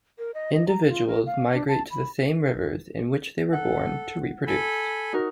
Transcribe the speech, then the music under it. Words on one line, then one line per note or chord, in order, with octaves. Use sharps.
Individuals migrate to the same rivers in which they were born to reproduce.
A#4
D#5
D#5
A#5
F4
A#4
F5
D4
A5
B5
A4 F#5
A4 G#5 B5
D#4 F#4 A#4